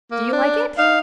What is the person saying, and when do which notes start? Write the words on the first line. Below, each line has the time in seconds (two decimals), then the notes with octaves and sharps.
Do you like it?'
0.11 A#3
0.33 D4
0.78 D#4 F5